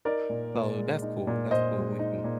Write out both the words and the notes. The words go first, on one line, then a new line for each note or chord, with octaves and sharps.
So that's cool, that's cool, we can
D#4 A#4 D5
A#2
A#2
G#3
D#4
A#2
A#2 C5 D#5
G#3
D#4
A#2